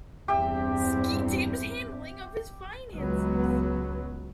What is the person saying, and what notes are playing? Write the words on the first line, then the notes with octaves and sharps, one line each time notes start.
Ski Team's handling of his finances.
E2 G2 C4 G4 E5
C#2 F#3 B3